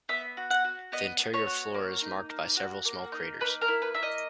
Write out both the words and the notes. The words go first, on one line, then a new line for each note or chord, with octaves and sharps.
The interior floor is marked by several small craters.
B3 E5
F#4
F#5
F#4
B3 D#5
B3
C#5
F#4
A#3
D#4
A#3
F#4
A#3
D#4
A#3 B4
A#4
E4
B4
A#3 E5
D#5